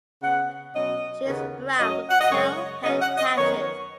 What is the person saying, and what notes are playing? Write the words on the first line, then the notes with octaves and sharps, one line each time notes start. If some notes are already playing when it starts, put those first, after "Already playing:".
She is brown with pale head patches.
C#3 B3 F#5
B2 F#3 C#4 D#5
D#2 C#3 B3
F#2 F#3 C#4 D#5
F#5
D#5
F#2 C#3 G#3 C#5
C#3 F#3 C#4 D#5
F#5
D#5
F#2 D#3 B3 C#5